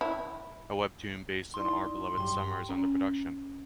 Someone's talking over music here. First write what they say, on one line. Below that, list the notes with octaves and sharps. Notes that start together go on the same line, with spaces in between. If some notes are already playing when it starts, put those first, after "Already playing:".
A webtoon based on "Our Beloved Summer" is under production.
E4
D#4 E4 D5 C6
G2 F#3 G4 G5 C6
C#4